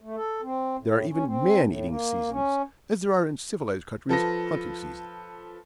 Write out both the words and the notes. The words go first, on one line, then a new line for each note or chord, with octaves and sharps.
There are even 'man-eating seasons,' as there are in civilized countries hunting seasons.
A3
A4
C4
A2
C#4
C4
A2
A#3
C#4
F3 A4 B4 A#6